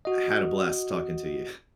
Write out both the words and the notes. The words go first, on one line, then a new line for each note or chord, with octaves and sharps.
had a blast talking to you.
F#4 D#5